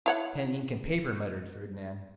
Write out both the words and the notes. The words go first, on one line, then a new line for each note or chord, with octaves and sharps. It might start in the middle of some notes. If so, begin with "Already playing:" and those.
"Pen, ink, and paper," muttered Fernand.
E4 C#5 F#5